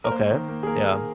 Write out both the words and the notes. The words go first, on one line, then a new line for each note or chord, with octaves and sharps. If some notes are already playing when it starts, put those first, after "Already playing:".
Okay. Yeah.
A#4
A#3 C5
D#3
A#3
G#4
A#3 A#4
A#3